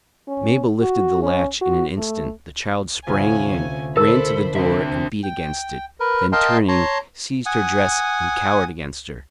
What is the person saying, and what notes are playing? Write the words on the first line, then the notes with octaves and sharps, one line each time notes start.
Mabel lifted the latch in an instant; the child sprang in, ran to the door and beat against it, then turning, seized her dress and cowered against her.
C#4
F#4
C#4
F#4
A3
D2 C3 C#4 F4 G#5
D4 A4 A#4 C5 B5
C4 D4 C5 E5
G5
A#4 B4
A#4 D#5 F5 G5 A5 C6
C#5 A5 A#5 C6
F#5 G#5 D#6